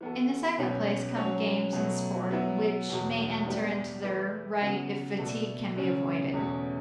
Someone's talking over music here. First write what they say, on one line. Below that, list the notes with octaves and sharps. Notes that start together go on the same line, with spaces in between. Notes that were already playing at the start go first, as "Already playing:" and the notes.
In the second place come games and sport, which may enter into their right if fatigue can be avoided.
E3 B3 F#4 A4
B2 F#3 C#4 G4 C#5
F#3 C#4 F#4 C#5
B2 F#3 A3
F#3 B3 E4
E2 B2 F#3
A2 G3 B3 D4 G4
E3 A3 E4 G4 B4
C#3 F#3 B3 F#4
B2 A3 D4 A4
C#3 F#3 A3 C#4
E2 B2 A3 C#4